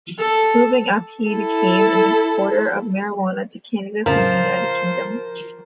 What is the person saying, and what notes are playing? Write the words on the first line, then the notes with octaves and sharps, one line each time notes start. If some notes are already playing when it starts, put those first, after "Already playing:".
Moving up he became an importer of marijuana to Canada from the United Kingdom.
A4
E4 A4
F2 A2 C#3 F3 A#4 C5